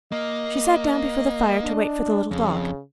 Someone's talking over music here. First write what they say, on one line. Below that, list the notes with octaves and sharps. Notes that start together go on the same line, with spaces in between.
She sat down before the fire to wait for the little dog.
A#3 D#5
D4
F2 C#3